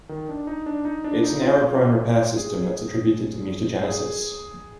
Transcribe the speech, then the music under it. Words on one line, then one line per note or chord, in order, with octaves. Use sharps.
It is an error-prone repair system that is attributed to mutagenesis.
D#3
D4
D#4
D4
D#4
D4
D#4
F4
G#4
G#4